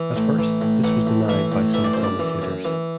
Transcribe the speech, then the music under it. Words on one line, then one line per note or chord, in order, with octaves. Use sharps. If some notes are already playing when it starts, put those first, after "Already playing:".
At first, this was denied by some commentators.
Already playing: E3
A2
E3
A2
E3 F#5
A2
E3 E5
A2
E3 E5
D5
F#2 C5
D5
E3
F#2
E3